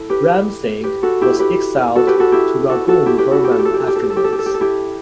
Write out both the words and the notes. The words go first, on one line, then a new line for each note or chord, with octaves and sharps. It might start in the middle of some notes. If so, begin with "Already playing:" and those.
Ram Singh was exiled to Rangoon, Burma afterwards.
Already playing: E4 A4
G4 B4
G4 B4
F#4 A4
E4 G4
G4 B4
F#4 A4
G4 B4
F#4 A4
E4 G4
F#4 A4
F#4 A4
E4 G4
G4 B4
F#4 A4
G4
A4
G4
A4
G4
A4
G4
A4
G4
A4
G4
A4
G4
A4
G4
A4
E4 G4